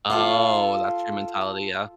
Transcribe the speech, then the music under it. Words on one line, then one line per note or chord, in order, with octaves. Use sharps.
Oh, that's your mentality. Yeah.
F4 A4 F5